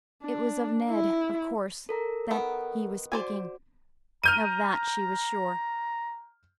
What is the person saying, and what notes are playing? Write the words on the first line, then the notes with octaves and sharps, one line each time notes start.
It was of Ned, of course, that he was speaking. Of that she was sure.
D4
E4
A4 A#4 A#5
D#3 B3
F#4 C5 D5 G#5
A#5 F6 G6 D#7